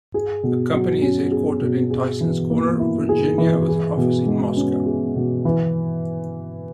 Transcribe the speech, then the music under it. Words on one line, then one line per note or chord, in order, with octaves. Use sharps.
The company is headquartered in Tysons Corner, Virginia with an office in Moscow.
G#4
B2
F#3
C#4
G#4
B2
G#4
E3
A#3
E4
G#4
E3
G#4
B2
G#3
C#4
G#4
B2
E3